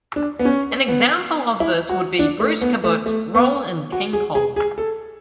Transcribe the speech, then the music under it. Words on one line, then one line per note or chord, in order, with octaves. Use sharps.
An example of this would be Bruce Cabot's role in "King Kong".
D4
B3
C#4
B3
E4
F#4
D4
A3
B3
A3
A3
B3
F#4
G#4
G#4
G#4
A4